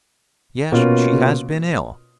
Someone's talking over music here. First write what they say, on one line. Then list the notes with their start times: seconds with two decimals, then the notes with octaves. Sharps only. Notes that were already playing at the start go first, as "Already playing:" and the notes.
"Yes, she has been ill."
0.72 B2 A#3 C#4 F4